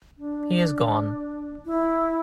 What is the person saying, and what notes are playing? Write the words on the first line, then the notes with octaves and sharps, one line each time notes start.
He is gone.
D4
E4